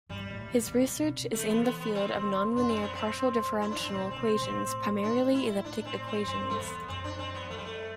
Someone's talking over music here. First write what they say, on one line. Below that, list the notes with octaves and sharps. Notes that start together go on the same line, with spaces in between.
His research is in the field of nonlinear partial differential equations, primarily elliptic equations.
G2 G3
A2
B2
A2
B2
C3
E3 A3
B3
B3
B3
D3 C4
D3
C3
F#2 D4
C4
B3
C4
E4
D4
G2 C4
A2
B2
C3 C4
B2
A2 C4
D4
E4
A2 D4
C4
C4
G2 C4
A3
E2 B3
F#2 C4
D4
C4
B3
F#2 A3
G3
A3